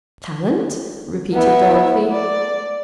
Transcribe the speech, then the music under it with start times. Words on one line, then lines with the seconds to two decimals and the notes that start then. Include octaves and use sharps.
"Talent?" repeated Dorothy.
1.33 B3 E4
2.11 D5